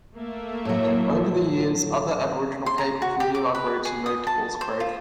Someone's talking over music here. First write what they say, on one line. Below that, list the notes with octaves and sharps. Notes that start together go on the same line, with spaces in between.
Over the years other Aboriginal people from nearby groups have moved to Halls Creek.
A3 A#3 E5
A2 F#3
C6
A#5
F#4
G4
D6
B4
G#4
D#6
A5
C5
F4